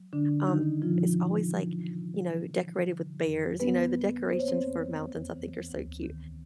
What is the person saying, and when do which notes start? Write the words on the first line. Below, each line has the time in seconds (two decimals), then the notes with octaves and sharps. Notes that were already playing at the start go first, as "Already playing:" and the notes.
um, it's always, like, you know, decorated with bears, you know, the decorations for mountains, I think, are so cute,
Already playing: F#3
0.13 D3 D4
0.47 D#3 G3 D#4
0.82 A#2 F3 F4
1.17 F#3
1.51 E3
1.87 C3
2.22 G3
2.55 E3
2.90 D3
3.25 F2
3.60 G3 B3 B4
3.95 G3
4.29 A#3 C5
4.39 C#5
4.48 C4 C5
4.65 F2
4.99 E2
5.34 E3
5.69 D2
6.04 D#3